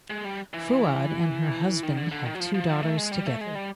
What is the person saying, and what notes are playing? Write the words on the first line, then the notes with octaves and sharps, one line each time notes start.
Fouad and her husband have two daughters together.
G#3
G3
E3
D#3
D3
D3
D#3
F#3
F3
F3
F3
A3
G#3
G3
A3
G#3
G3